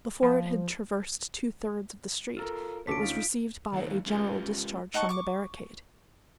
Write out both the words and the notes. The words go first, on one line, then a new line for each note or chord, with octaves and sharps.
Before it had traversed two thirds of the street it was received by a general discharge from the barricade.
F3
F4 A4 A#4
D2 C#4 A4 D6 B6 D7
D#4 F4
D#3 E3 A3 A#3 D4 D#4
G#3 C#4 F4 G4 B4
D#4 F#5 A5 C#6
C#6 D6